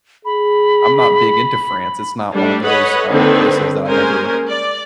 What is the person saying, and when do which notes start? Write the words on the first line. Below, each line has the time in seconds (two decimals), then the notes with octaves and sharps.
I'm not big into France, it's not one of those, um, places that I've ever
0.25 G#4 B5
2.34 G3 A3 D4
2.64 A4 B4 C#5 D#5 F#5 B5
3.09 D3 D#3 A#3 C4 B4
3.88 G#3 A#3 C#4 A#4 C5 G#5
4.48 D5